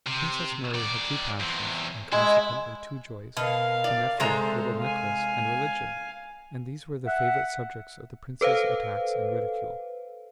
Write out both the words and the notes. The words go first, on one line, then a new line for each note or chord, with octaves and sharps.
Princess Mary had two passions and consequently two joys--her nephew, little Nicholas, and religion--and these were the favorite subjects of the prince's attacks and ridicule.
C3
D#3 D5
E2 C4
G#3 E4
B2 A#4 F5
D5
C3 G#3 A4 C5 A#5
F5 G#5
E5 F#5
A4 B4 C5 F5